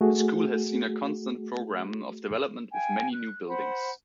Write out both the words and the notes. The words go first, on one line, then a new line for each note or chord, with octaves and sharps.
The School has seen a constant programme of development with many new buildings.
A3 F#4 G#4
F5 G5 G#5
F#6
C5 F#5 B5